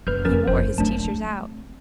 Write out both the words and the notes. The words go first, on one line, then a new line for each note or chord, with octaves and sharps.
He wore his teachers out.
F#1 B4 F6 G6
F2 C#4 A#4 A6
F#1 C5
F#3 A3 A#3 D4 A5
C4